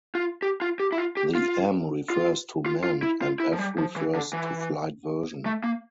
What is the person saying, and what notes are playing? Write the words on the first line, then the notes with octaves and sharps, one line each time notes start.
The "M" refers to "manned" and "F" refers to "flight" version.
F4
G4
F4
G4
E4
F4
G4
F4
F4
F4
F4
E4
F4
E4
F3
G3
F3
E3
D3
E3
A3
A#3